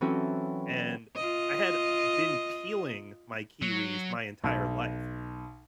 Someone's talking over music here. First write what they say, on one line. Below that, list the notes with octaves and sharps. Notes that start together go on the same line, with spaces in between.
And I had been peeling my kiwis my entire life
E3 F#3 C4 C#4 F#4 A4
F4 D#5
F#3
B1